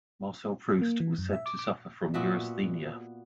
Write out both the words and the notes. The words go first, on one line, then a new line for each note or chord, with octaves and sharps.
Marcel Proust was said to suffer from neurasthenia.
A#3
E3
F#2
E5
D6
D6
A#2 B3 F#4 E5